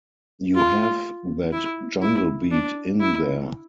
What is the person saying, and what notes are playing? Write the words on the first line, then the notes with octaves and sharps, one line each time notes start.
You have that jungle beat in there.
F4
E4
E4
D4
E4